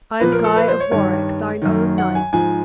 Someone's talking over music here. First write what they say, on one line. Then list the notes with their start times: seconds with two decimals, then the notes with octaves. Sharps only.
I am Guy of Warwick, thine own knight.
0.20 A#2 F3 B4
0.32 A#4
0.44 A4
0.56 B4
0.68 C5
0.80 C#5
0.91 G2 D#3 C#5
1.62 F#2 D#3
1.98 F#5
2.15 G#5
2.33 G#2 F3 G#5